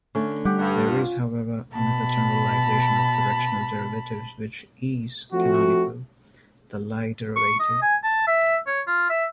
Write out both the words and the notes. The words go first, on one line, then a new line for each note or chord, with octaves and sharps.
There is however another generalization of directional derivatives which "is" canonical: the Lie derivative.
D3 A3 C#4
G3 G4 F#5
G2 F#5
F4
B2 A5 B5
F3 A3 C4 F#4
C#6
D#5
G#5
A5
E5
C#5
F4
E5